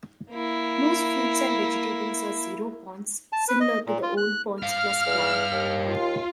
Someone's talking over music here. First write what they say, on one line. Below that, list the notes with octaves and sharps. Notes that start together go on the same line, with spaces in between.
Most fruits and vegetables are zero points, similar to the old PointsPlus plan.
A#3 E4
A5
B4
D#5
A#2
F4
F#6
G2 F5 F6
E2
D#2
F4